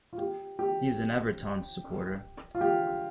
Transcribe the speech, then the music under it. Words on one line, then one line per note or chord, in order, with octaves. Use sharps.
He is an Everton supporter.
F4
G4
G4
F4
G4